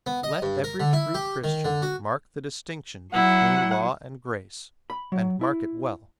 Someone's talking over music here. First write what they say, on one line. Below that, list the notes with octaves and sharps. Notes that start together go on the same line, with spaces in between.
Let every true Christian mark the distinction between law and grace, and mark it well.
B3
D#5
G2
A#4
D3
E4
G4
D#3
D3
F#4
F#3 E4 F#5
B5
F#3
E4